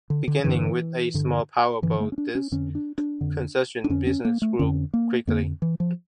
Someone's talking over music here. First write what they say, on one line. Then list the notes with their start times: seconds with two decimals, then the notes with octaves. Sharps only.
Beginning with a small powerboat, this concession business grew quickly.
0.10 D3
0.28 D3
0.44 G2 D3 E3
1.14 G2 D3
1.82 G2 D3 E3
2.00 A3
2.12 C#4
2.18 D4
2.35 C#4
2.52 F2 D3 C#4
2.75 D4
2.98 D4
3.21 F2 D3
3.84 D4
3.90 F2 D3 C#4
4.07 C#4
4.25 A#3
4.42 A3
4.59 F2 D3 C#4
4.94 A#3
5.27 F2 D3 A#3
5.62 E3
5.80 F3